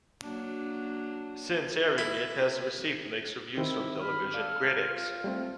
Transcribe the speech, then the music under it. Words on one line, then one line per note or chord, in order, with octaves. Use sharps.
Since airing, it has received mixed reviews from television critics.
F#3 A#3 D4
E4
D#3 C4 E4
B5 F6
A4 D5 F5
F4
G3 A3 C4